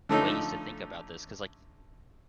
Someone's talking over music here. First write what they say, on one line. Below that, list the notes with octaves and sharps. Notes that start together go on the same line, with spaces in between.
ways to think about this 'cause like,
D3 F3 A3 C#4 D#4 A4